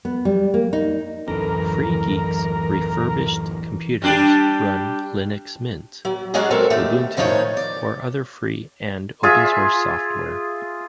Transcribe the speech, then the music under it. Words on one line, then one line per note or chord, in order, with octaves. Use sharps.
Free Geek's refurbished computers run Linux Mint, Ubuntu or other free and open-source software.
B3
G3
A#3
D#4
D1 F#2 E3 C#4 A4 A#4
G3 D4 G4
F#3
F#3 G#3 C#4 D4 F#4 G#4
F#3 C4 A4 A#4
D#2 D#3 A3 G4
A2 D#3 F3 D#4 F#4 C#5
D5
F4 G#4 E5